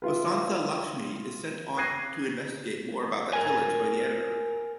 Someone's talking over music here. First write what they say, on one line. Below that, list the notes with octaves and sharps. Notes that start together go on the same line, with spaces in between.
Vasantha Lakshmi is sent on to investigate more about that village by the editor.
E4 F4 B4
D6 F#6 G#6 A#6 C7 D#7
A#4 G#5